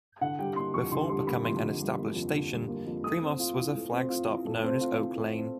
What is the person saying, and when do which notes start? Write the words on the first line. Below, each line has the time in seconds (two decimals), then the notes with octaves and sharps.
Before becoming an established station, Primos was a flag stop known as Oak Lane.
0.21 D3 F#5
0.39 G3 G5
0.56 A#3 C6
0.74 F2 C#6
0.92 D3 C6
1.09 G3 C6
1.27 A#3 B5
1.44 F2 C6
1.63 D3
1.81 G3
1.98 A#3
2.15 F2
2.34 D3
2.51 G3
2.68 A#3
2.87 F2
3.04 A3 D#6
3.22 C4
3.39 F4
3.57 E3
3.75 A3
3.92 C4
4.10 F4
4.27 E3
4.45 A3
4.63 C4
4.81 F4
4.98 E3
5.16 A3
5.33 C4